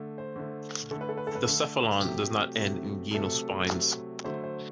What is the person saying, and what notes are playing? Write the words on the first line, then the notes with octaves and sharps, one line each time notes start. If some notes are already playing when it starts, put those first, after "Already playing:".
The cephalon does not end in genal spines.
Already playing: D3 A3
C5
D3 A3
D3 A3 A4
B4
A4
B4
A4
B4
D3 A3 A4
C3 F#3 A3 G4
C3 F#3 A3
C3 F#3 A3 A4
C3 F#3 A3
D3 F#3 A3 C5
C5